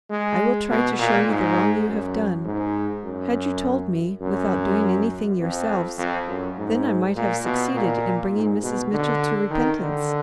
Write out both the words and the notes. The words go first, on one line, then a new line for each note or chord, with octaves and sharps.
I will try to show you the wrong you have done.--Had you told me without doing anything yourselves, then I might have succeeded in bringing Mrs. Mitchell to repentance.
G#3
B2
A#2
G#2
F#2
G#2
F#2
F#2
F2
F2
F#2
G#2
A#2
B2
A#2
G#2
B2
D3
D#3
D3